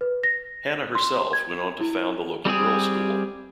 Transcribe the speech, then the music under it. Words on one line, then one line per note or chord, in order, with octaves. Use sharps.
Hannah herself went on to found the local girls' school.
B4
A#6
C6
G#6
E4
G3 C4 G4 G#4